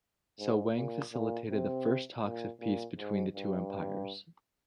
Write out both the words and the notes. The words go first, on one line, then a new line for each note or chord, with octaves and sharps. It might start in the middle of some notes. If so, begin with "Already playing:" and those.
So, Wang facilitated the first talks of peace between the two empires.
G#2
A#2
A#2
C3
A#2
A#2
G#2
G2